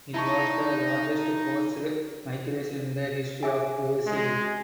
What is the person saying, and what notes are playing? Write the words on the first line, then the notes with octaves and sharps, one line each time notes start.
It was the largest forced migration in the history of Brazil.
D#4 E4 A5 C#6
G#4 E5 G#5
G#3